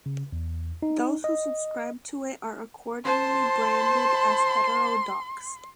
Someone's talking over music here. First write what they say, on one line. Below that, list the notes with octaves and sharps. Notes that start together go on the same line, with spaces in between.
Those who subscribe to it are accordingly branded as heterodox.
C#3
E2
D#4
D#5
C5 A5 C6